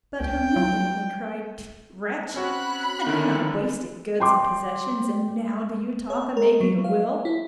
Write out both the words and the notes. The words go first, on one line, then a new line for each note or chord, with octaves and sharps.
But her mother only cried: 'Wretch! have you not wasted goods and possessions, and now do you talk of making a will?'
C#2 G5
F#3
C4 C#4 F#4 B5 F#6
D3 D#3 C#4 E4 A#4
G5 C6 D6
C#5
A#4
F#3
F5
E4